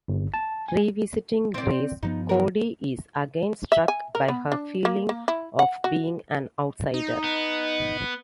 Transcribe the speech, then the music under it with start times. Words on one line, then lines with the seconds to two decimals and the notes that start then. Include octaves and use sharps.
Re-visiting Grace, Codi is again struck by her feeling of being an outsider.
0.08 G1
0.34 A5
0.68 G#5
1.54 C4 D5
2.03 G2 F3 B3 D#4
2.29 E2 C#3 A#4
3.72 E5
3.88 G#5
4.15 A#4
4.28 B3
4.52 D4
4.85 A#3
5.09 A#3
5.28 E4
5.59 F#5
5.84 F#4
6.94 D#4
7.24 B3